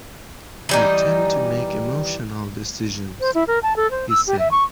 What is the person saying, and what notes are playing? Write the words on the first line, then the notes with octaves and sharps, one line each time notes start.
"I tend to make emotional decisions," he said.
E3 G3 D#4
C5
E4
A#4
A5
A4
C5
E6
G4
E5
C#6